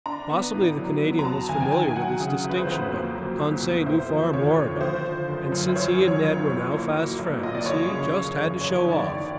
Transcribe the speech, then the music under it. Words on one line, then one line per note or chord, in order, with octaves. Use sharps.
Possibly the Canadian was familiar with this distinction, but Conseil knew far more about it; and since he and Ned were now fast friends, he just had to show off.
D4 A#5
B3
A2
F#3
B3
A#5
F#3 A5
D#2 G#5
G5
D#3 G#5
F#3 F#5
C#3
G1
B4
C5
F2
A#3
F#3
C2
B2
A3 C5
F3
D#2 C#5
D3
F3 C5
D3
F#1
F#2
C5
A1 C#5
F3
C#5
A1
A2
A#3
F#3
B1
A#2 D#5
D5
F#1 C#5
C#3
F#1
E2
F#1 C#5
D#3
D5
F#1